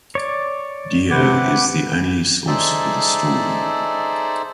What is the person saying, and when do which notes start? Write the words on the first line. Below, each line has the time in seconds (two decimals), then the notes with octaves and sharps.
Dio is the only source for the story.
0.15 C#5 D5
1.11 C3 B4 F#5 D6
2.47 D#4 G#4 A4 C5 D5 E5